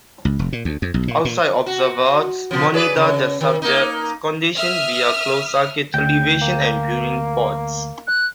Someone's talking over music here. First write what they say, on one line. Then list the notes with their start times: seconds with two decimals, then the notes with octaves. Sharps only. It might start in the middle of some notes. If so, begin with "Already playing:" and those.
Outside observers monitor the subjects' condition via closed circuit television and viewing ports.
0.25 C#2
0.39 F1
0.53 A#2
0.65 D2
0.82 F2
0.94 B1
1.08 A#2
1.25 A#2
1.66 F#4
2.51 B2 F3
2.74 G#4 B4 D5
2.96 C#3
3.41 D#3
3.62 A#3 D#4
4.57 E5 D#6 F6
5.94 D2 G5
6.42 A#3
8.07 F#6